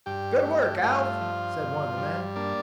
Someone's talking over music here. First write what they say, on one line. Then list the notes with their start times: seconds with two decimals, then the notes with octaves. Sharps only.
"Good work, Alf!" said one of the men.
0.06 G2 G4 G5
0.44 A3
0.83 G2 F4 F5
1.21 F3
1.59 G2
1.97 G3
2.36 A#3 D4 D5